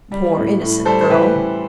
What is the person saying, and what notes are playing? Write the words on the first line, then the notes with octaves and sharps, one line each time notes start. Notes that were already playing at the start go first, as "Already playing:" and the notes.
Poor innocent girl.
G3
A2
A2
G3 A4 C5
C5
E3 G4 B4
E3